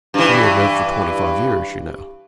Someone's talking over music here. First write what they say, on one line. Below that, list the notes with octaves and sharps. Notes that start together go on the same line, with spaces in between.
"But you may live for twenty-five years, you know."
G2 E3